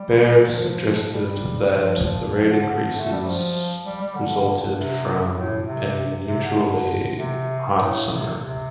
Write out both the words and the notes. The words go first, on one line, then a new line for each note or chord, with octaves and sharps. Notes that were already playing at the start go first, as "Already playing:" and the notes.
Baird suggested that the rate increases resulted from an unusually hot summer.
Already playing: G3
F3
G3
F3
F3
D3
D3
A3
G3
F3
G3
G3
D3
C3
A2
C3
C3
D3
C3
A2
C3
C3